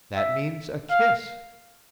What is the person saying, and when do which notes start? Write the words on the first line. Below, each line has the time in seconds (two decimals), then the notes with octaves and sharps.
"That means a kiss!"
0.16 E5
0.90 F5